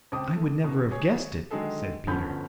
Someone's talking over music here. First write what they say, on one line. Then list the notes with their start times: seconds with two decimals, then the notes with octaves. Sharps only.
"I would never have guessed it," said Peter.
0.12 C#2 C4 G5 A5 D6 D#6
0.36 A3
0.64 B2
0.91 G#4 C#5
1.51 D3 D#3 F#3 G#3 G#4 A4
2.07 G1 D2 F3 C#4 B5 G6